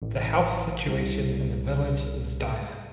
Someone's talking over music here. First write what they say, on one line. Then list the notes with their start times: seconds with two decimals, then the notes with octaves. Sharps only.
The health situation in the village is dire.
0.02 A1
0.87 C2